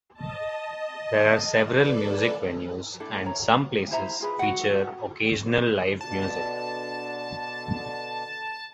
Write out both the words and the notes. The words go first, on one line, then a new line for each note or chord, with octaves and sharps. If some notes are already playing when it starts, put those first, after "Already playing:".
There are several music venues and some places feature occasional live music.
D#5 A5
A4 B4 D5
D4 E4 A4
C#5 A#5
E4 C5 E5 A#5
F4 G#4 B4
F#4 F#5
B2 D3 D4 A5